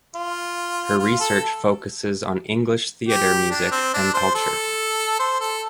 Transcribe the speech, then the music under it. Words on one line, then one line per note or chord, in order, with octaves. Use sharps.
Her research focuses on English theater music and culture.
F4
F4
A4
G4
D4
C4
D4
C5
A4
C5
A4